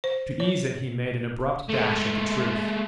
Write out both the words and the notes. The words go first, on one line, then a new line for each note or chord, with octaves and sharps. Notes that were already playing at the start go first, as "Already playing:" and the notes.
To ease it he made an abrupt dash at the truth.
C5
C#5
G#3 A3